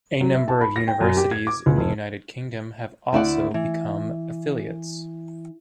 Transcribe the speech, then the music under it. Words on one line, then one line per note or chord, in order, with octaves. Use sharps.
A number of universities in the United Kingdom have also become affiliates.
F#3
E5
A5
B5
A#6
G5
F#2
G4
G#6
D6
C#2
F1
D2 E4 D5 F#5
E3